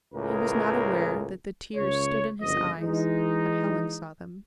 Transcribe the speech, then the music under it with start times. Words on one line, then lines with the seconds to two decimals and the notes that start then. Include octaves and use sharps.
He was not aware that the tears stood in his eyes, but Helen saw them.
0.14 C#2 A2 G#4 A#4 B4
1.76 C#2 C#3 C#5
2.40 G1 C#2 F3 D#5
2.78 E3 G#3 D#4